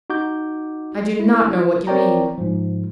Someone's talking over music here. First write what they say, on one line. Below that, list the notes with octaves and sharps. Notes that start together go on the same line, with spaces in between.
"I do not know what you mean."
D#4 F#4 D6 G6
E4
C4 A#4 C#5 D5 G5 A#5
G#2 F3